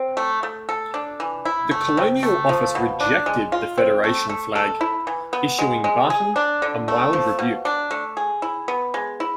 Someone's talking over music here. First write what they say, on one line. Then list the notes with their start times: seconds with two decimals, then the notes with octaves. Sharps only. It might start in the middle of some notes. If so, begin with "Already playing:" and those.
The Colonial Office rejected the Federation Flag, issuing Barton a mild rebuke.
Already playing: C4
0.17 A3
0.43 A3
0.69 A4
0.94 D4
1.20 E3
1.45 E4
1.71 A3
1.97 C3
2.23 A3
2.49 F3
2.75 B2
3.00 D4
3.26 G#3
3.52 F4
3.78 C4
4.04 A3
4.29 A3
4.55 A4
4.81 E4
5.07 E3
5.33 B3
5.59 G#3
5.84 G#3
6.10 G#4
6.36 D4
6.62 D3
6.88 A3
7.13 F3
7.39 B2
7.65 D4
7.91 A3
8.17 G#4
8.42 E4
8.68 B3
8.94 G#3
9.20 E4